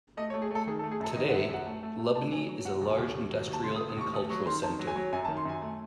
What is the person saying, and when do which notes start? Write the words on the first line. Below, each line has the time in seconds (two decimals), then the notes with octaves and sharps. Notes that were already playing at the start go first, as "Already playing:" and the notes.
Today, Lubny is a large industrial and cultural centre.
0.17 A3 D#5
0.30 C#5
0.34 A3
0.42 G#4
0.51 A3 A4
0.67 D#3 G#4
0.79 A4
0.84 A3
0.91 G#4
1.00 F#2 A4
1.16 D#3 D#5
1.29 F#5
1.33 F#2
1.41 E5
1.49 F#2 F#5
1.66 A3
1.83 A3
1.99 A3
2.15 A3 A5
2.32 F#3 G#5
2.49 F#3
2.65 F#3 F#5
2.81 D#2
2.90 G#5
2.98 D#2
3.15 D#2
3.30 F#3
3.47 D#2
3.53 A5
3.63 C#3 C6
3.76 D#6
3.81 A3
3.89 D#6
3.97 D#2 C#6
4.13 A3 D#6
4.30 F#3 C#6
4.46 D#3 C6
4.63 D#3 A5
4.79 F#3
4.87 G#5
4.96 F#3
5.12 F#2 G#5
5.25 A5
5.28 D#3
5.37 C6
5.45 F#2 G#5
5.62 A3